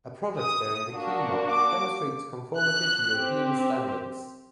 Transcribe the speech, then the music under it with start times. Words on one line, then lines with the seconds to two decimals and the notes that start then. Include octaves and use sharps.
A product bearing the Keymark demonstrates conformity to European Standards.
0.39 D#6
0.94 A#3 D4 F#4
1.48 D6
2.58 F#6
3.13 C4 G4